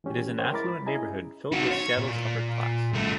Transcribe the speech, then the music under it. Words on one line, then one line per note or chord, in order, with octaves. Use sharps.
It is an affluent neighborhood, filled with Seattle's upper class.
E3 G#3 C#4 G4
A#4 C5 C#5 D#5 F#5 G5
G#3 E4 A#4 B5 D6 A6
B5
C#4 E4 G#4 D#5 G#5 A#5
D#4 F#4
C#5
A#2
C2 A3